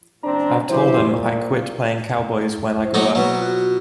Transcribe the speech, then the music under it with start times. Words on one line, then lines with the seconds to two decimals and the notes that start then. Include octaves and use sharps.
I've told 'em I quit playing cowboys when I grew up.
0.24 F#1 C4 D4 A#5
0.70 E3 F#3 E4 G4 C5
1.11 A#2
2.81 E4 C5
2.94 F#3 A#3 D#4 C#5
3.15 B2 F#3
3.38 F4 F#4